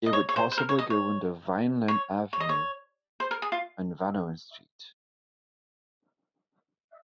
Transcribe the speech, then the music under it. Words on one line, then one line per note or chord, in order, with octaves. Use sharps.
It would possibly go under Vineland Avenue and Vanowen Street.
D#5
C#5
C#5
C5
C5
A#4
C#5
D#5
C#5
C#5
C#5
D#5
C#5
C5
A#4
G#4
F4